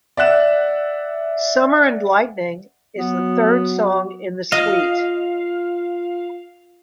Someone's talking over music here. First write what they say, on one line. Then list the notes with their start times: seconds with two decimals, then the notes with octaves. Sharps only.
"Summer and Lightning" is the third song in the suite.
0.17 D5 E5 F#5 F#6 E7
2.97 F#3 B3
4.52 F4 D#5 F5